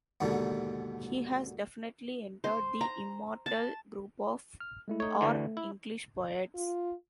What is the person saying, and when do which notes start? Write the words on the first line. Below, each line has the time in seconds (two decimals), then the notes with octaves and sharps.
He has definitely entered the immortal group of our English poets.
0.20 D#2 G#2 B2 D3
2.44 C5
2.81 A#5
3.46 A5
4.60 F6
4.88 G#3 A3 E4
5.00 A3 D#4 C#5
5.21 D2 D3 E3
5.57 E4
6.55 F4